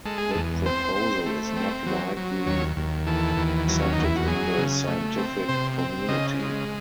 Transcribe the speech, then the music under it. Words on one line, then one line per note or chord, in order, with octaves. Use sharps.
The proposal is not widely accepted in the scientific community.
G#3 A4
G#4
E2 A4
C4 C5
C4
A3
C4
F#3
F#3
D#2 C#5
D#2
E3 A4
D#2
F#3
C#4
E2 D#4
E4
F#4
F#3 G#4
C#3
A3
C4
C3 C5
C4
C#3 D#5
G#3